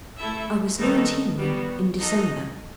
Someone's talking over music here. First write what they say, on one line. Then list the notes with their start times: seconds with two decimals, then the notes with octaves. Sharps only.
"I was nineteen in--in December."
0.18 A3 E4 A4 E5
0.78 D#3 G3 B3 D#4 A4
1.38 G3 B3 F#4
1.98 D#4 F#4 A4 D#5